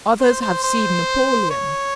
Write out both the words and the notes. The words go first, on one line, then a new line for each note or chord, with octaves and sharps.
Others have seen Napoleon.
C5
C5
C5
C#5